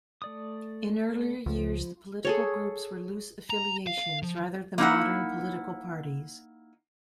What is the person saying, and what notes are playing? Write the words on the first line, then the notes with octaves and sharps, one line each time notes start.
In earlier years, the political groups were loose affiliations rather than modern political parties.
A3 D5 D#6
C#2 F3
G#4 A4 C#5
A#5
F5
F3
A#3 D#4 E4 F#5